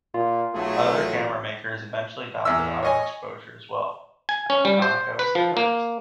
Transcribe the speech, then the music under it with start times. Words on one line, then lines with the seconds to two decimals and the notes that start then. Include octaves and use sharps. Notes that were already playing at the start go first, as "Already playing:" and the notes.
Other camera makers eventually adopted auto-exposure as well, but Konica was the first.
0.14 A#2 F4
0.55 B1 F#3 A3 G#4
0.97 A1
2.45 E2 E5 E6
2.83 C#5 D#5 G#5
4.29 G#5
4.50 C#4
4.65 G3
4.82 C5
5.19 B4
5.35 F3
5.57 A#3